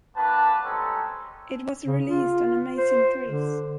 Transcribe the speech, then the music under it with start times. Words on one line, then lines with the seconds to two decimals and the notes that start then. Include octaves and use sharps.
It was released on Amazing Thrills!
0.16 A#3 D4 F#4 B4 A5
0.63 G3 G#3 C4 C#4 D#4 A4
1.86 C#3
2.05 F4
2.77 C5
3.25 D3